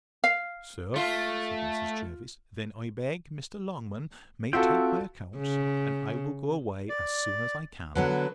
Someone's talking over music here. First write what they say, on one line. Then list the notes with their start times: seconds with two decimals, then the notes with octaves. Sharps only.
Sir, said Mrs. Jervis, then I beg Mr. Longman may take my accounts, and I will go away as soon as I can.
0.24 F5
0.96 A3 F4
4.53 C4 F4 F#4 A4 E5 G5
5.37 C#3
6.89 D5
7.95 D3 F#3 B3 B4